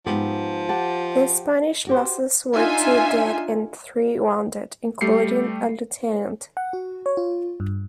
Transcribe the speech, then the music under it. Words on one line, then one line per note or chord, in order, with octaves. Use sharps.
The Spanish losses were two dead and three wounded, including a lieutenant.
G#2 F3 B3 G4
G4 F#5 A5
F#4 G4 C5
D4 D#4 F4 E5 G#5
G3 A3 G4 C7 C#7
F#5
F#4
C#5
F4
G2